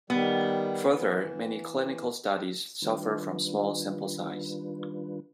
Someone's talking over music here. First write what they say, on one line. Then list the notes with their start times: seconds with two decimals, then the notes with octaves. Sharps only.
Further, many clinical studies suffer from small sample size.
0.10 D#3 G3 B3
0.88 E3
2.82 D#3 G3 D4 F4 B4